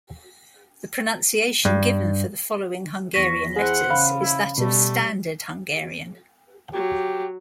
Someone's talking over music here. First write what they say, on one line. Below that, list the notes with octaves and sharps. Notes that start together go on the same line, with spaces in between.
The pronunciation given for the following Hungarian letters is that of "standard Hungarian".
G2
E2 C#6 A#6 B6
E4 G#4 C5 F#5
C#3 F5 B5
E4
B2 G3 A3
F#3 G4